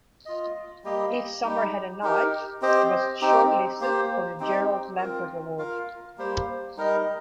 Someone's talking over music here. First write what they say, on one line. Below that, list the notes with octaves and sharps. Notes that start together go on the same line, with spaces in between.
"If Summer Had a Knife" was shortlisted for the Gerald Lampert Award.
F4 D#5
G3 A#3 G4 D#5
G3 D#4 G4
D#4 G4 A#4
C4 G4 C5 D#5
C4 D#4 G4
A#3 G4 C5
C4 D#4 G4
C4 F4 A#4
F4 A#4 F5
G3 A#3 G4 C5
G3 D#4 A#4 D#5